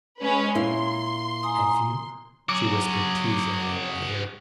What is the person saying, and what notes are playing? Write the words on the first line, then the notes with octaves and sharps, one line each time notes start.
"Have you?" she whispered teasingly in my ear.
G#3 C#4 B4
A#2 A#3 E4 C6
G#5 A#5 D#6
F#3 F#4 G#4 D6